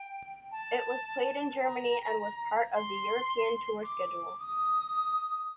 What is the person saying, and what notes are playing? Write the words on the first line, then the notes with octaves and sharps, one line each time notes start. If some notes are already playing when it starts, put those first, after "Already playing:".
It was played in Germany and was part of the European Tour schedule.
Already playing: G5
A5
A#5
C6
D6
D#6